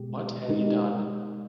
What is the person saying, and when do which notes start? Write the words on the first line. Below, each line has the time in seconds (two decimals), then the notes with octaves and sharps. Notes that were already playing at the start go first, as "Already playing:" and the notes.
What had he done?
Already playing: B2 G#3 B3 G4
0.49 G#3 D#4 G4 A#4